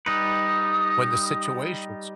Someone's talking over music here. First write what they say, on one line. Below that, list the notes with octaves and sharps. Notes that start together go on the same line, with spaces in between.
when the situation's
G3 D#4 B4 D#6